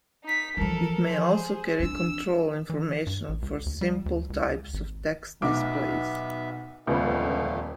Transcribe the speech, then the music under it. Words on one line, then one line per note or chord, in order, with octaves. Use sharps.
It may also carry control information for simple types of text displays.
D#4 B6
E3 F3 A4 A#4
G#4 C5
C4 D4 E6
E3
G2
A1
C#2
D2
G3
D2
C#2
G#1
B1 B3 E5 D6
D#1 C#2 D3 F3 A3 B3